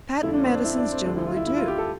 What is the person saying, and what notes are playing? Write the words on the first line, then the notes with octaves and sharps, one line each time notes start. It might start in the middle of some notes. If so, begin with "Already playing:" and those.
Patent medicines generally do.
F2 D3 F3 A3 E4
D4
C4
D4
E4
D4
C4
D2 D3 G3 D4
E4
F4
E4
E4
F4
G4
A4